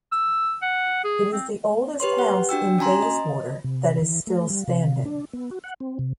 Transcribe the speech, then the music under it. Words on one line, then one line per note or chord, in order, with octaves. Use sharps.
It is the oldest house in Bayswater that is still standing.
E6
F#5
G#4
C4
G4 B4 C#5 C6
G4 F#5
D4 F#4 G5 E6
C#4 F#4 G#5 A#5 C6
D#5
C3
E3
A3
G3
C3
D4
B3
F#4
F#5
C4
C3